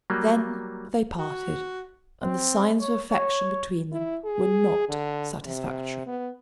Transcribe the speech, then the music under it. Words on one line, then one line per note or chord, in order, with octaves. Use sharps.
Then they parted, and the signs of affection between them were not satisfactory.
F#3 G3 A#3
F#4
C4
C#5
C#5
E4
G#4
D3
C3
B3